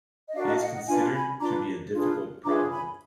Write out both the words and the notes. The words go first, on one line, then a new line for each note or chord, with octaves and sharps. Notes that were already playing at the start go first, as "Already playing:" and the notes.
It is considered to be a difficult problem.
D#5
D4 F#4 A#4 D5 F5
D#5
F5
D#5 F#5
D#5 F#5
D4 F4 B4 F5 G#5
G#5 B5
D4 F4 B4 A#5 D6
D4 F4 G#4 B4
D4 F4 G#4 B4 A#5 D6
G#5 B5